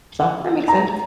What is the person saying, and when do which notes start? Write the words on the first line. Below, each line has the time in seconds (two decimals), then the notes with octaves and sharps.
So, that makes sense.
0.20 F#5
0.68 A#5